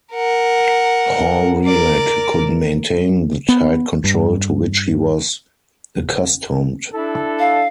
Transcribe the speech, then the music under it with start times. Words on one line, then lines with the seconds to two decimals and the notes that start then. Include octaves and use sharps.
Hawrelak couldn't maintain the tight control to which he was accustomed.
0.14 A#4 F#5
1.65 A#4 D5
3.49 B3
4.04 G2
6.94 D4 E4 A4
7.39 F5